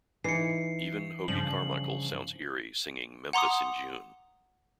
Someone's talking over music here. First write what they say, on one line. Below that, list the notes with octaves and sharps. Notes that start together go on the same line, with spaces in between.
Even Hoagy Carmichael sounds eerie singing Memphis in June.
E3 D#4 C7 C#7
G2 C#3 F3 F#7
F#5 A#5 C6 D6 D#6